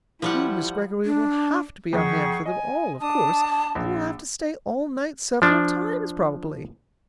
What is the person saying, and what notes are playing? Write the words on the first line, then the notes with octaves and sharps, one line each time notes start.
You, Miss Greggory, will have to be on hand for them all, of course, and will have to stay all night several times, probably.
F3 G3 E4 F#5
D4
F2 G#4 F#5 C#6
D#5 G#5
D4 A5 D#6
A#1
F3 D4